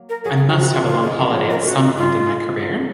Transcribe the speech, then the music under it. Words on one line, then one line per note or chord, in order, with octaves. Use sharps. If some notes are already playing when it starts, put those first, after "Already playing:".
I must have a long holiday at some point in my career.
Already playing: F#3 A#3
A#4
F#3 G#4
G#4
F3 F#4
F#4
F3 F4
C#3 F4
D#3
G#4
G#3 B3
F#3 A#3
F3 G#3 C#5
F3
A#4
C#3
D#3 F#4
D#4
F4
F#3